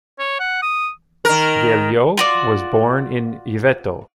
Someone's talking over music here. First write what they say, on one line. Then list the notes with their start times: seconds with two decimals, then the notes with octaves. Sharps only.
Vieillot was born in Yvetot.
0.19 C#5
0.40 F#5
0.62 D#6
1.25 D#3 A#4
2.17 F4 F#4 D5